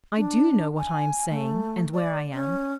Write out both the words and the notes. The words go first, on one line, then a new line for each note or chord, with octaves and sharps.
I do know what I am saying and where I am.
D4
G#5
A3
D5
C#4